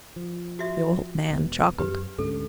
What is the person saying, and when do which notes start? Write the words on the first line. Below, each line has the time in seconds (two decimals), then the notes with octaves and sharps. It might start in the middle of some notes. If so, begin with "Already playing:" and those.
The old man chuckled.
0.16 F3
0.59 F#4 E5
1.30 E1 B3
1.78 F#2 G4 B4
2.18 D2 G#2 C#4 A4